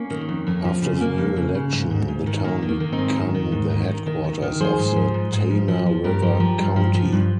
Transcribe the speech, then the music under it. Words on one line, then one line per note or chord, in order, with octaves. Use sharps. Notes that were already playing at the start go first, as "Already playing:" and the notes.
After the new election, the town become the headquarters of the Tana River County.
Already playing: A#3 C#4
D#3
F2
F2
F3
C#3
C#3 A#3
F2
C#3
C#3
G#2
G#2
G#2
D#3
D#3 A#3
D#3
A#3
D#3
C4 D#4
G#2
D#3
D#3
G#2
D#3
D#3
D#3
D#3
D#3
F3 G#4 C5
G#2
F3
G#2
G#2
F3
F3
F3
G2 G4 A#4
F3
F3
G2
F3
F3
G2